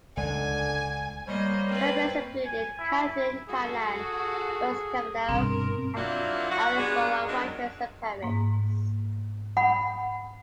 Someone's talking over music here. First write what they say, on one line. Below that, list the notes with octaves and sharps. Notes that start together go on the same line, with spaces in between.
Her friends included Katharine Tynan, Rose Kavanagh and Alice Furlong, writers and poets.
C#2 D3 G#3 G#5
G3 A#3 C5 C#5 D#5
C4 B4
G#5
E4
F#4 G#4 A4
G2 B2 C4 A#4
F3 F#3 A#3 D4 E4 F#4
F#4
G#3 B3 D4 G4 G#4
D#3 F#3 G#3 B3 C#4 D4
G#2 A#3
F#5 B5